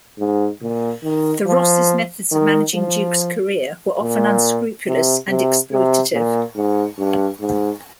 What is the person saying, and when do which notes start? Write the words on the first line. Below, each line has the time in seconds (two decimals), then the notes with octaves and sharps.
The Rosses' methods of managing Duke's career were often unscrupulous and exploitative.
0.18 G#2
0.62 A#2
1.03 D#3
1.46 F3
2.31 D#3
2.74 F3
4.02 A#2
4.86 C3
5.28 C3
5.71 C3
6.13 A#2
6.55 G#2
6.98 G2
7.41 G#2